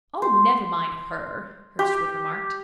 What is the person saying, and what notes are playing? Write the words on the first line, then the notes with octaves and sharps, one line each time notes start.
"Oh, never mind her," Hurstwood remarked.
C5
G4